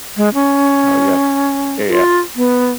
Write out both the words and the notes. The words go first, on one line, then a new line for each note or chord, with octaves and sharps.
Oh, yes. Yeah, yeah.
G#3
C#4
F4
B3